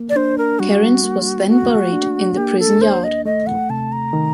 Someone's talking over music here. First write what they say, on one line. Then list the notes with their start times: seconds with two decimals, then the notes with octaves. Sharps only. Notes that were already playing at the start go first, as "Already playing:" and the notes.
Kerins was then buried in the prison yard.
Already playing: A#3
0.09 D5
0.16 D4 C5
0.38 A#4
0.59 G3 F#4
1.04 A#3
1.48 A3 F#4
1.93 D4
2.37 A#3 G4
2.59 A4
2.81 D#2 C5
3.04 D#5
3.25 A3 D#5
3.47 F#5
3.70 C3 A5
3.92 A#5
4.13 D#3